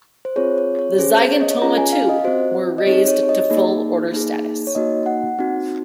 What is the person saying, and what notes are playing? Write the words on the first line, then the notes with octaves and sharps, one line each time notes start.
The Zygentoma too, were raised to full order status.
C5
C4 F4 G#4 C#5
C#5
C#5
C#4 G#4 C5
C#5
D#5
C#5
C#4 F4 G#4 A#5
G#5
F5
D#5
C4 F#4 C5
D#5
C4 D#4 G#4 C#5
C#5
C#5
D#5
A#3 D#4 G#4
A#3 D#4 G#4
C#5
A#3 D#4 F#4 D#5
F#5
C4 D#4 F#4